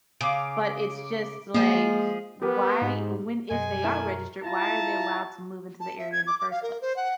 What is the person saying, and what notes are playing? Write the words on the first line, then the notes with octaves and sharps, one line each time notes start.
but it's just, like, why when if they are registered, why are they allowed to move into the area in the first place?
C#3 F5 D6 D7
F3 G#3 A#3 G#4
B3 G4 A#4 B4
G#2 G4
F#2 B2 G#3 G#5
A3 E4 A#4
E4 F4 A5 A#5
A5
E5
G#6
D6
D6
F5
A#4
C5
F#5